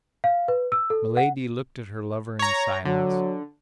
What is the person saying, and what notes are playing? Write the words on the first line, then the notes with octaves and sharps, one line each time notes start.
Milady looked at her lover in silence.
F5
B4
E6
A4
F#5
C#5 A#5
D3 F#3